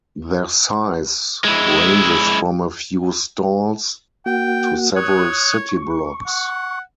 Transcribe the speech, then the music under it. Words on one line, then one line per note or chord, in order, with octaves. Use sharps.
Their size ranges from a few stalls to several city blocks.
G#3 E4
A#3 F#4 F#5 G5
C#5 D#6 F#6
C#6
F#5